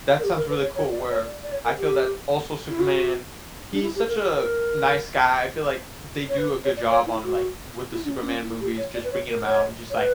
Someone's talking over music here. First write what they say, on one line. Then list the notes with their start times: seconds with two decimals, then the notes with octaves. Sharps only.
that sounds really cool where I feel that also Superman, he's such a nice guy. I feel like they do a good job on, like with the Superman movies, just bringing him out. Just like,
0.19 A#4
0.24 G4
0.37 A#4
0.50 B4
0.62 C#5
0.75 C#5
0.92 D5
1.10 C#5
1.26 D5
1.43 D5
1.52 C#5
1.65 A#4
1.78 G4
2.70 E4
2.80 F#4
3.73 D4
3.82 E4
3.95 G4
4.08 A#4
4.20 G4
4.34 A#4
6.29 C#5
6.38 B4
6.64 C#5
6.77 D5
6.90 C#5
7.07 E4
7.24 F#4
7.92 E4
8.05 D4
8.09 C#4
8.21 D4
8.26 C#4
8.43 E4
8.60 G4
8.77 C#5
8.94 D5
9.04 B4
9.12 C#5
9.29 A#4
9.46 C#5
9.90 C#5
9.97 B4